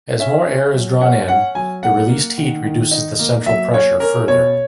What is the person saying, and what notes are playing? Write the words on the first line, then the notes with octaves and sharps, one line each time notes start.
As more air is drawn in, the released heat reduces the central pressure further.
C#4 E5
C#4
F#3
C#4 F#5
C#4 F#5
F#3 G#5
A#3 F#5
A#3
D#3
D#3
D#4
A#3
F#3 E5
C#4 C#5
C#4 A#4
B2 C#5